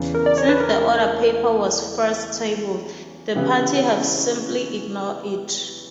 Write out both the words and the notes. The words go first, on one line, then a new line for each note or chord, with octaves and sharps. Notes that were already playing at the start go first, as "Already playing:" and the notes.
Since the order paper was first tabled, the party have simply ignored it.
Already playing: E2 C#3 E3
A#4
D5
C#5
B4
A#4
C#3 E3 B3 E4 G4